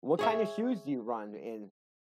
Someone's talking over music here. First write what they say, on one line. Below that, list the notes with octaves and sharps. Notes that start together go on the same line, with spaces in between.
What kind of shoes do you run in?
G#4 C#5 E5